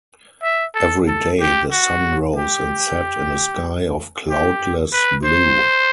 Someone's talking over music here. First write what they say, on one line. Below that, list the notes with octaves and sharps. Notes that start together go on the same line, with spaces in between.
Every day the sun rose and set in a sky of cloudless blue.
E5
A4
A4
G4
F#4
G4
G4
B4
C5